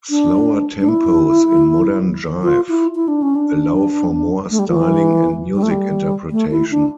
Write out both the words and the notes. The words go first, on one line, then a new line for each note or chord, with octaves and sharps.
Slower tempos in Modern Jive allow for more styling and music interpretation.
D4
D4
E4
F4
E4
E4
D4
C#4
D4
A3
G3
F3
E3
G3
A3
G3
A3
E4
D4